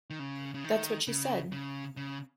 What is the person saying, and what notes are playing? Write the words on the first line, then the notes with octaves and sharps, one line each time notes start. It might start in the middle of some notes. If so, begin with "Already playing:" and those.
That's what she said!
D#3
C#3
C#3
D#3
C#3
C#3
C#3